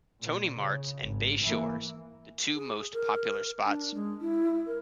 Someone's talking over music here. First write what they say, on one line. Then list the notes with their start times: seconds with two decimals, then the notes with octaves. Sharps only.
Tony Marts and Bay Shores, the two most popular spots.
0.21 A#2
0.54 C#3
1.02 G#1
1.43 E3 A#3
2.55 G#4
2.92 A#4
3.65 D4
3.94 G#3
4.21 E4
4.66 A#4